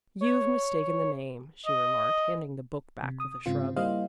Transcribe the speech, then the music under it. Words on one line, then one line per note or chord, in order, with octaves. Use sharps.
"You've mistaken the name," she remarked, handing the book back with a shrug.
C#5
D#5
C3
D#6
G#2 C#3 C4 F4
G3 A#3 E4 C5 D#5 F5